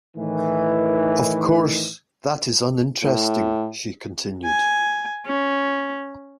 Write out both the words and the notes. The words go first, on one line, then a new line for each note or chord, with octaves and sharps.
Of course, that is uninteresting, she continued.
A2 D#3 E3
A2
G#5
C#4